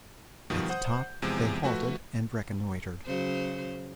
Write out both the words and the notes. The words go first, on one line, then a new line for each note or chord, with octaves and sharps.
At the top they halted and reconnoitred.
B2 D#3 F3 G3
C5 F#5 D#6 G6
E2 C3 F3 G#3
F3 A3 F#4 B4
C#3 F#3 C5